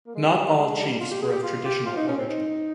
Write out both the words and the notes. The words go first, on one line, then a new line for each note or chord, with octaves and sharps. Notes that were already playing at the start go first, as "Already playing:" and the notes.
Not all chiefs were of traditional origin.
A#3
G#3
G3
G#3
G3
F4
G4
G#4
G4
F4
G4
F4
D#4
C#4
C4
D#4